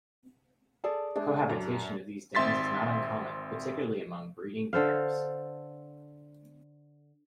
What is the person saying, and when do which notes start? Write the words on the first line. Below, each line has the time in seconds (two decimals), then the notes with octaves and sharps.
Cohabitation of these dens is not uncommon, particularly among breeding pairs.
0.84 G#4 A4 D5 A5
1.16 G#3 D4 E5
1.49 F#2 A#5
2.35 G#1 C4 E5 C6 A6 B6
4.73 D3 A4 C5 F5